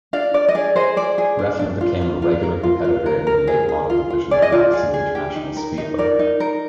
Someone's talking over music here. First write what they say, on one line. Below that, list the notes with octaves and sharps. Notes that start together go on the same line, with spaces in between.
Reffner became a regular competitor in the late model division at Madison International Speedway.
D4 D5 F5
D4 D5
D#5
G#4 D5
G#4 C5 D#5
G#4 D5
G#4
D4
D4
F4
F4
F4
A#4
F4
F4
A#4
A#4
G#4
G#4
F4
F4
G#4 D5
D#5
F4 D5
G#4
G#4
G4
D#4
A#4
D#4
A#4 D5
D#4
A#4